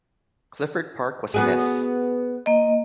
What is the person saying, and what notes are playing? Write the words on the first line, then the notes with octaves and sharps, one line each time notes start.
Clifford Park was a mess.
B3 F#4 G#4
A#3 D#5